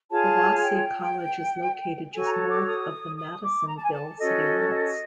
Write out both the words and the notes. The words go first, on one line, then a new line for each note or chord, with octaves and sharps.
Hiwassee College is located just north of the Madisonville city limits.
F4 G#4 C#5 A5
G5
F#4 A4 C#5 G#5
A#5
A5
D6
D#6
D#6
D6
A#5
A5
G#5
A5
C#4 F#4 A4 D#5
D#5